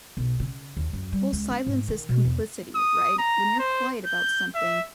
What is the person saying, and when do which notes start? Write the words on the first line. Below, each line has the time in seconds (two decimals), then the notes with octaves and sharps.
Well, silence is complicity, right? When you're quiet about something,
0.17 B1
0.40 C#3
0.77 D#2
0.93 F#2
1.12 G3
1.33 C#2
1.50 C#4
1.67 G#2
1.88 D#3
2.09 B2
2.25 E2
2.76 D#6
3.19 A#5
3.59 C5
4.06 G6
4.55 E5